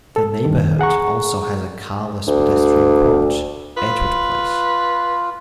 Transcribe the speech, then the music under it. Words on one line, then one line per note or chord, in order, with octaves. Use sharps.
The neighborhood also has a carless pedestrian court, Edgewood Place.
A4
D2 G2 D#3
G#4 F#5 A#5 C#6
D2
F4 B4